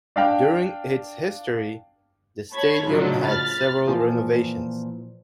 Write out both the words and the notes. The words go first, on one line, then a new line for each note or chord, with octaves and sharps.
During its history, the stadium had several renovations.
D4 F5 G5
C#5 A5 B5 G#6
A2 C#3 F3 F#3 D4 D#4
B5 F6 A6
A#2 E3 F3